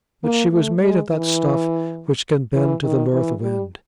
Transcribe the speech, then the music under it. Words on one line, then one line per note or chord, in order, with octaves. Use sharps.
But she was made of that stuff which can bend to the north wind.
A#3
A3
G#3
E3
E3
D#3
E3
G3